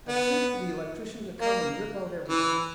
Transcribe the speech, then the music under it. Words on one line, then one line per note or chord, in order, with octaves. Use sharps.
I've sent for the electrician to come and rip out everything.
B3
A#3
E3